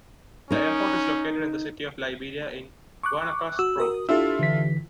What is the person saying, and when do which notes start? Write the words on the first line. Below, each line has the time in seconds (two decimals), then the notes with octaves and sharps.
The airport is located in the city of Liberia in Guanacaste Province.
0.50 C#4 D#4 A#4
3.03 C#6 D6 F#6
3.59 F#4 E6
3.78 F#4 A#4 D#6
4.09 D4 E4 F4 G4 A4 E6
4.39 D3 E3 B6